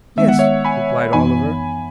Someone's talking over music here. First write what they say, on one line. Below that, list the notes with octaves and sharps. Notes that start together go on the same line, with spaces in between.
'Yes,' replied Oliver.
D#3 G#3 B3 D#4 E5
F#5
C#5 E5
G#5 B5
F#2 E3 B3 D#4 G#5 B5